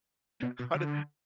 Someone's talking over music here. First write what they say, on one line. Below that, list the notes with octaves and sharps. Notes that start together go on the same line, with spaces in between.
How did
B2
B2
D3